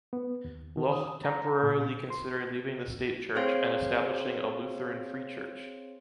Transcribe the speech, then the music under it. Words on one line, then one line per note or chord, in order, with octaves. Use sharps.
Löhe temporarily considered leaving the state church and establishing a Lutheran free church.
B3
D#2
D#3
D#6
A#5
A#2
C6
C4 G#4 C5 C#5 F5 C6